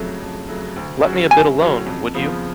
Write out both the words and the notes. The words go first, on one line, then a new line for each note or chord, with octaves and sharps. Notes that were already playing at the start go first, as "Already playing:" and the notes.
Let me a bit alone, would you?
Already playing: F2 C#3 F#3 A3
F2
C#3 F#3 A3
D2
C#3 F#3 C#4 F#4
D2 G#5
C#3 F#3 C#4 F#4
F2
C#3 F3 B3 F4